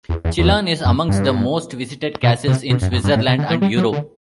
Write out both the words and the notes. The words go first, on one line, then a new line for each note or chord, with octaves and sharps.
Chillon is amongst the most visited castles in Switzerland and Europe.
E2
E2
E2
F#2
G2
B2
C3
B2
F#2
F#2
G2
A2
C3
D3
E3
G3
F#3
D3